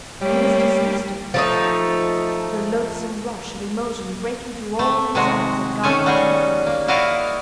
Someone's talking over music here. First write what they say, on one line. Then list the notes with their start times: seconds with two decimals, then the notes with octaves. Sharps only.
He was disgusted with himself, with the loathsome rush of emotion breaking through all the reserves that guarded his manhood.
0.22 G3 A3 A#3 C#5
1.34 F3 A3 D#4
4.79 A3
5.15 C3 D#3 G#3 F#4
5.83 D#3 A3 C#4 A4 G#5
6.06 G3 F#4 G#4
6.66 A#3
6.88 E4 F#4 A#4 D5 D#5 F5